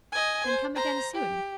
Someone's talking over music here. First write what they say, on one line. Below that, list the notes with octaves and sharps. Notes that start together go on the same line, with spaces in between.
Then come again soon.
D#5 G#5
C5
C5 A#5
G4